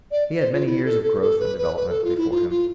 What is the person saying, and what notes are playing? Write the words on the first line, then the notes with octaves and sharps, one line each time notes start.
He had many years of growth and development before him.
D5
C5
F4
E4
A4
A4
A4
B4
B4
B4
A4
F4
E4
F4
F4